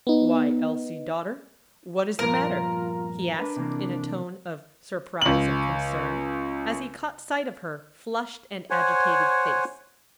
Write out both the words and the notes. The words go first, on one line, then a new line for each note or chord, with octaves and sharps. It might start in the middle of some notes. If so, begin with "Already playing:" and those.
"Why, Elsie, daughter, what is the matter?" he asked in a tone of surprise and concern, as he caught sight of her flushed and agitated face.
B3 D#4
G2 A#2 F3 F4 A#4
D4 B4
C3 E3 A#3
C#2 F#7
C5 C#5 F#5 G#5